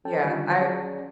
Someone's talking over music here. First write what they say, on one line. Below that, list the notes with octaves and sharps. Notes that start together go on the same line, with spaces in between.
Yeah. I
C#4 A4 G5 A5
D3 D#3 G3 F4
F#3 C#4 G#4 C#5 D5